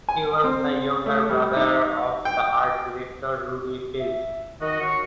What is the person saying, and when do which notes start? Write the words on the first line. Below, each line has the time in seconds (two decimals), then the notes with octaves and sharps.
He was the younger brother of the art director Rudi Feld.
0.09 G#5
0.44 C4
1.06 A3
1.29 G3
1.57 D#4
2.25 G5
4.00 E5
4.62 D#3 F#4 D#5
4.80 F#4 C#5 F5 C#6